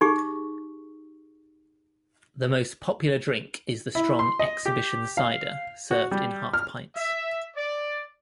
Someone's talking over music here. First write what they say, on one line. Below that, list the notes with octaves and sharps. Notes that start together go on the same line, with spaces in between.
The most popular drink is the strong "Exhibition Cider", served in half pints.
D#4 G4 G#4 C#6
E4
C6
D#5
G4
F5
F#4
G3
F6
E5
D5